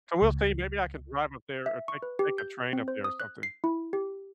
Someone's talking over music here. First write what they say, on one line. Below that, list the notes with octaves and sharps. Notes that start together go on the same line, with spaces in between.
I will say, maybe I can drive up there, or take take a train up there, or something.
C#2
E5
C#6
B4
G4
G6
C4
C5
D#6
F#6
C7
E4
G4